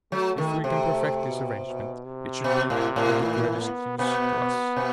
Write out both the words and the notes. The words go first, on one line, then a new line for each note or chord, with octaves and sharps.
If we can perfect this arrangement it should be of the greatest use to us.
F#3 A3
D#3
C3
A3
B2
B2
C3
B2
A2
A2
E3
B3
B2 B3
B2